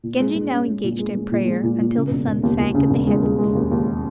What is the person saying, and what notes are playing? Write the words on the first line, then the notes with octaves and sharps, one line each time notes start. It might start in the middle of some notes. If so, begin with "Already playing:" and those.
Genji now engaged in prayer until the sun sank in the heavens.
A#2
G#3
G#3
C#4
G#3
A#2
G#3
G#3
A#2
G#3
A#2
A#2
C#3
E1
E1
D#2
D#2
C#3
E1
G#3
G#3
G#3
D#2
D#2